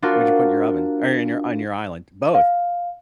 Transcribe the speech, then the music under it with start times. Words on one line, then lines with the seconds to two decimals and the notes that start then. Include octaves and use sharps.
What'd you put in your oven or in your on your island? Both,
0.02 D4 F4 F#4 A#4 C5
2.35 F5